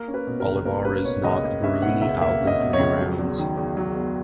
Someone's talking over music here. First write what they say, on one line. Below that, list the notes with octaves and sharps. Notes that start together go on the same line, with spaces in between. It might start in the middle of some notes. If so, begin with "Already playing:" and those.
Olivares knocked Burruni out in three rounds.
Already playing: A#3 A#4
C#4
B4
B2
A#4
C#2
A#3 A#4
C#4 B4
B2 C#5
C#2 D#5
A#3 D#5
C#4 E5
B2 F#5
C#2 E5
A#3 E5
C#4
D#5
B2
C#5
C#2
F#3
E2
D#3
E2
F#3
E2